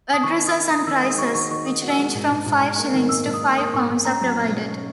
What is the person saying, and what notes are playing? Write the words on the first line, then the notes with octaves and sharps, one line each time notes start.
Addresses and prices, which range from five shillings to five pounds, are provided.
D#6
D#3 C#6
D#4
D#6
D#4
D#4 D#6
D#3 E6
G#3 D#6
F#4 C#6
D#3 C#6
D#3 C#6
D#4 D#6
F#4
E6
G#3
G#2
G#2
G#2
G#2
A#3
D#3
G#2 E6
G#2
D#6
A#3
A#3 D#6
G#2 C#6
G#2
C#4 A#5
F#3
B2
C#4
C#4